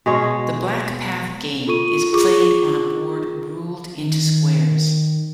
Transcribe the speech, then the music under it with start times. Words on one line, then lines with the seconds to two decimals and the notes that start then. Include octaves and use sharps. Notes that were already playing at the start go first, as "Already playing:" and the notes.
The Black Path Game is played on a board ruled into squares.
0.06 B2 G#3 C#5
1.67 F4 A4 C#6 D#7
2.13 F4 G#4 C#6 D6
4.01 D#3